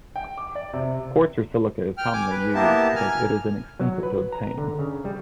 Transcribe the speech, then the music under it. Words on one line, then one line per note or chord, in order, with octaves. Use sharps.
Quartz or silica is commonly used because it is inexpensive to obtain.
G5
D6
D5
C3
G5 F6
G#5 D6
B4
A#3 B3 E4 G4 A#4 A5
G#5 F6
F#3
B4
A#5
D3
C#3
G3